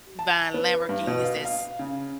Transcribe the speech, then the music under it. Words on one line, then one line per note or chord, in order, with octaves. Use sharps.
buying Lamborghinis that's
A5
B3
G2
B2
F5
F5
C#3